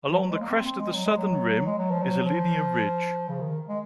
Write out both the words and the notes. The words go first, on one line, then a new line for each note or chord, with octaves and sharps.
Along the crest of the southern rim is a linear ridge.
F3
F#3
G#3
A#3
C4
C4
G#3
F#3
G#3
F#3
G#3
F#3
F3
F#3
F3
C#3
D#3
G#3